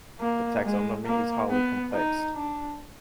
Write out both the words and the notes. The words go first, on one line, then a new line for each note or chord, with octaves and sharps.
The taxonomy is highly complex.
A#3
G#3
A#3
B3
D#4
D4